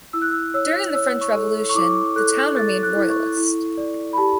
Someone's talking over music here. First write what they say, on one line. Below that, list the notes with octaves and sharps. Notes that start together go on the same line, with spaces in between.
During the French Revolution the town remained Royalist.
E4 E6
F#6
E6
C#5 E6
C#5 E6
C#6
A4
C#6
E4 D6
A4 F#6
A4 A6
F#6
E4
C#6
E4
D5
B5
G4 A5